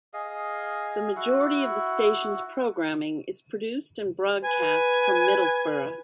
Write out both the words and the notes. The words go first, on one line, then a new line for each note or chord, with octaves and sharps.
The majority of the station's programming is produced and broadcast from Middlesbrough.
G#4 D#5 F5
E4 F#4
B4 G#5